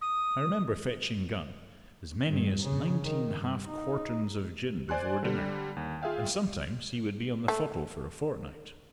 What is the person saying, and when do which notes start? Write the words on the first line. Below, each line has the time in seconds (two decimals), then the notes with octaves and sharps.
I remember fetching Gun as many as nineteen half quarterns of gin before dinner, and sometimes he would be on the fuddle for a fortnight.
0.01 D#6
2.28 G2
2.63 C#3
3.03 D#3
3.37 G2
3.67 D#4
4.89 C5 D5 G#5 C6 F#6
5.23 D3 G3
5.77 D#2
6.02 F4 G#4 E5 F5 G5
7.48 A3